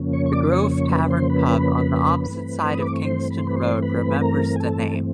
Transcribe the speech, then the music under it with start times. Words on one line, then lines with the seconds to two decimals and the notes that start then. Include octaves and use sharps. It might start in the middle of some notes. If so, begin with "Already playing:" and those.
The Grove Tavern pub on the opposite side of Kingston Road remembers the name.
Already playing: F2 C#3 F3 A#3 C#4
0.13 C#5 C#6
0.26 C#6
0.33 D5 D6
0.52 C#5 C#6
0.71 C#5 C#6
0.91 B4 B5
1.10 C5 C6
1.30 B4 B5
2.27 G2 E3 A3 C4
2.71 D#6
2.82 D6
2.93 C#6
3.05 C5 C6
3.30 B5
3.39 C6
3.47 B4 B5
3.56 C5 C6
3.82 B4 B5
4.21 A#4 A#5
4.56 G#5
4.60 A4 A5